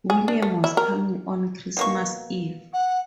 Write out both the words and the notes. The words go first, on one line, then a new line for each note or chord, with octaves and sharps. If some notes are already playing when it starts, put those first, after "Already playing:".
William was coming on Christmas Eve.
G#4
D4
A3
E4
A#4
B2 A#3 C#6
F#5